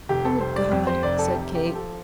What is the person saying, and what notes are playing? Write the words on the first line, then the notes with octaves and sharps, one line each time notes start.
"O God!" said Kate.
F1 G4
A4
G3 C5
D5
F2
C5
F1 D5
A4
C3 G4
G4
F3
A4